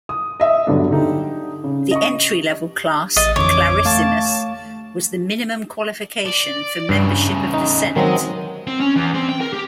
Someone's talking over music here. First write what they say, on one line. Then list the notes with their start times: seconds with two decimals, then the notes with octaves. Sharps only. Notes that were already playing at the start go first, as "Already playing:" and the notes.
The entry level class, "clarissimus", was the minimum qualification for membership of the Senate.
0.09 D#6
0.40 D#5 E5 D#6
0.67 G2 D3 F#3 B3 D4
0.91 D3 D#4 G4
1.64 C#3
1.91 D#5 C#6
3.16 A1 D#5 A6
3.36 F2 D3 E3 C#5 D6
3.85 A3 F5 A5 C#6
6.26 D5
6.89 E2 G2 C#3
7.54 D#4
7.96 D#3 F#3 G#3 C4 D#5
8.67 C4
8.80 C#4
8.95 E2
9.14 C4
9.29 G5
9.41 A#4
9.53 G4